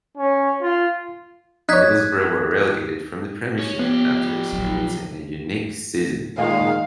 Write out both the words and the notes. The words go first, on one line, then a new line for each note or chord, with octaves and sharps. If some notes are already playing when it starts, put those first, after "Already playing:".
Middlesbrough were relegated from the Premiership after experiencing a unique season.
C#4
F4
D#4 C#5 F#6 G#6 B6
C#4
F3 B3 G4
A#1 F#3
A#2 D#3 G#3 F5